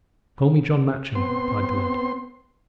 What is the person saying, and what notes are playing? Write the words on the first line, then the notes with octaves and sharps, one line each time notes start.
"Call me John Matcham," replied the lad.
B3 C4 C6